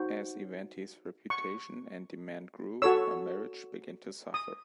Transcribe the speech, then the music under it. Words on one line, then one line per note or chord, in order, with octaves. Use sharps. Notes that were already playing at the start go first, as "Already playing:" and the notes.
As Evanti's reputation and demand grew, her marriage began to suffer.
Already playing: D#4 F#4 C5
C#6
F#4 A4 C#5 E6
D#6